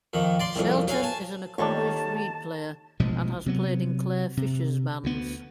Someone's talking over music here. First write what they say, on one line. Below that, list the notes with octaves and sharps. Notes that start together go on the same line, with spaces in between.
Shelton is an accomplished reed player and has played in Clare Fischer's bands.
F2 D#3
D5 C6
C2 F2
F#3 F5 G#5
G#5 A5
F2 D#3 A#3 D4 G4 A4 C#5 A5
A1 B2 F3 G#3
C3 F#3 B3
C3
D2 B3